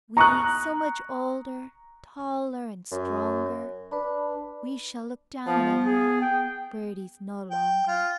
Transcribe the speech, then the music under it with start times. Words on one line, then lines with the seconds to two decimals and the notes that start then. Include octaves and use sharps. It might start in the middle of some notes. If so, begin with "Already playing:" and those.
We, so much older, Taller and stronger, We shall look down on the Birdies no longer.
0.17 A#5 C#6 D#6 F#6
2.91 F#2
3.91 D4 B4 D5 B5
5.46 F3 B3
5.86 G#4
6.21 G5
7.50 G5
7.88 F4